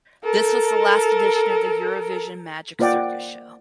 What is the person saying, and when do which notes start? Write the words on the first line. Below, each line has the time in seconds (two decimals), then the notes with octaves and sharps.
This was the last edition of the Eurovision Magic Circus Show.
0.24 A4 A#4
2.79 A#3 F4 C5 D5 F#5 G5